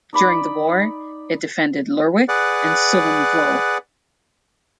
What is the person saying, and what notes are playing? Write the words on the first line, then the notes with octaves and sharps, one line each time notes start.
During the war it defended Lerwick and Sullom Voe.
D#4 D5 B5
G#4 B4 D5 F#5